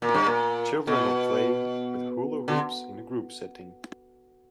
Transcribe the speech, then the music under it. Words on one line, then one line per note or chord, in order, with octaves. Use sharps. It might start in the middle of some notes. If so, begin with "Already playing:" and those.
Children are playing with hula hoops in a group setting.
A#2
G2
A#2
B2
D3